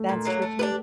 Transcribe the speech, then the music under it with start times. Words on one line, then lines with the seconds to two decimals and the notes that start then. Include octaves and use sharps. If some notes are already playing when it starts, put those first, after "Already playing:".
That's true too.
Already playing: A3
0.09 A#2
0.25 F#3 A#3
0.42 A3
0.59 D4 G4 B4